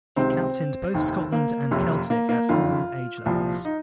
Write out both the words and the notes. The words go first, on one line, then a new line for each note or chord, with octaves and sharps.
He captained both Scotland and Celtic at all age levels.
C#2 C3 D#3 C4
F1 D#2 D#3
A#3
F#1 F2 C3
A#3
A#3
F#1 F2 D#3 F4
C2 A#2 F3
D#4